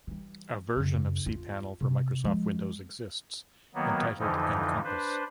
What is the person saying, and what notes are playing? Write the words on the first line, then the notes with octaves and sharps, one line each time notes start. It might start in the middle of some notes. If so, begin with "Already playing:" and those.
A version of cPanel for Microsoft Windows exists, titled Enkompass.
E3 G3
F#2 C#3
E2 F4
C3
F3 G#3
D#3 F#3 A#3 B3
F2 D3 E3 F3 D#4
D4 B4 C5